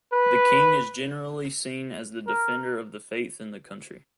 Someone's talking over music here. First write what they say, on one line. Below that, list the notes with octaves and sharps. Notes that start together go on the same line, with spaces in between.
The king is generally seen as the defender of the faith in the country.
B4
A#4